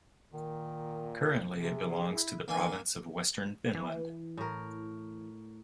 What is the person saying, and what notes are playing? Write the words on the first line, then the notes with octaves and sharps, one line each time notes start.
Currently it belongs to the province of Western Finland.
A#2 D#3
C3 G#4
E4
D#3 E3 A#3 G#5
E3
A2 A#4